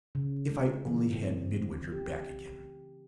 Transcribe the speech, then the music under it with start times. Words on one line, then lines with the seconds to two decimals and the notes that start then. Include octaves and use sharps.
"If I only had Midwinter back again!"
0.15 C#3
0.51 G#3
0.87 E3
1.22 C4
1.57 A3
1.92 G4